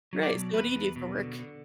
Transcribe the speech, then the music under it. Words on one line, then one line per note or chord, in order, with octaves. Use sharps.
Right, so what do you do for work?
F#3
D5
B2
E2 B4
E2
B2
D3
D3